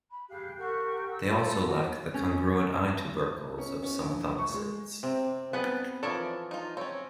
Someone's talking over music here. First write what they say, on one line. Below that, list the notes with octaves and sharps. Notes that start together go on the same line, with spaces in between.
They also lack the congruent eye tubercles of some thomisids.
B5
G4 G#4 F5 F#6
G4 A#4 F#5 C#6
E6
F4 A4 C5 C6
F#4
C#4
C#4
C#4
A#1
C#6
G#3
C3 C4
G3 B3 G#4 B4 F#5
E3 F3 A4 A#4 C#5 D5
D#4 F4
C4 C#4 C#5